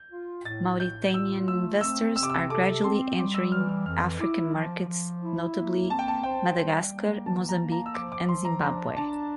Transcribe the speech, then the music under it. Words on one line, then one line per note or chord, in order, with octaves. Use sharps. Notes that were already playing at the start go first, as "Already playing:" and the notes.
Mauritian investors are gradually entering African markets, notably Madagascar, Mozambique and Zimbabwe.
Already playing: G6
F4
A2 A6
A2 G6
F4 E6
A3 E6
C4 E6
C3 E6
D6
E6
A4 D6
C4 C6
G3 D6
E6
E3 F6
F6
F2 F6
E4 D6
F3
F3
E4
A#3
C4 A5
G5
A5
C5 G5
G3
A#3
E3 A5
A#5
A#3
A#5
E6
F3 D6
D6
F3 C6
A#5
D4 A#5
D4 A5